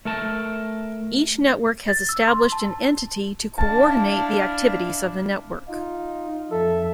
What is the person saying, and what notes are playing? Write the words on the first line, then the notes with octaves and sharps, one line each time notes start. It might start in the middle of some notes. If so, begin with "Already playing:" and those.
Each network has established an entity to co-ordinate the activities of the network.
A3 A#4 A5
A6
E6
C6
A5
D4 E4 F5 A5
D#4 F4
F2 A4 E5